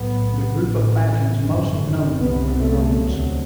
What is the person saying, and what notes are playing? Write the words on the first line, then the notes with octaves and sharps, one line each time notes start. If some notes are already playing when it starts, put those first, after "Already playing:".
The group of Latins most known were the Romans.
Already playing: B1 A2 B3
A1 A2
G1 F#2
C2 C3 B3
A3
D2 C3 F#3